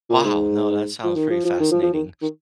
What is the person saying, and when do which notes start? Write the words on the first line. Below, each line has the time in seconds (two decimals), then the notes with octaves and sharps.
Wow. No, that sounds pretty fascinating.
0.10 A#2
0.25 G#2
1.04 F3
1.15 D#3
1.30 F3
1.45 F3
1.60 D#3
1.72 F3
1.83 F3
1.93 D#3
2.22 D#3